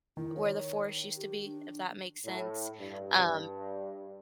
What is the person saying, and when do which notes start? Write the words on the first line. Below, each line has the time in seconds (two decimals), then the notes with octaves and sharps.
where the forest used to be, if that makes sense. Um
0.17 D#3 E4
0.36 C#5
1.16 G4
1.45 D4
2.26 A2
2.79 G2